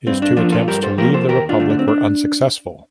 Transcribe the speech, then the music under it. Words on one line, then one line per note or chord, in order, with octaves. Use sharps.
His two attempts to leave the republic were unsuccessful.
G2 C4
D4
F3 A#3 D4 F4
F4 A4
G2 G4 A#4
A4 C5
F3 A#3 G4 A#4
A4 C5
D#2 G4 A#4
D4 F4
D3 A3
D4
C4
D4